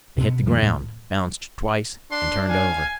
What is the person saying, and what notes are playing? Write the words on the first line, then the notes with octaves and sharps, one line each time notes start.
They hit the ground, bounced twice, and turned over.
B2 B3
F2 D#3 G3 A3
D2 A2
D4 C6
F5 G#5